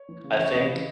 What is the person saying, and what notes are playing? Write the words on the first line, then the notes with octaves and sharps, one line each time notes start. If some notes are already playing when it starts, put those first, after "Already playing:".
I think
Already playing: C#5
E3
C#3
E3 C#5
C#3 B4 D#5
E3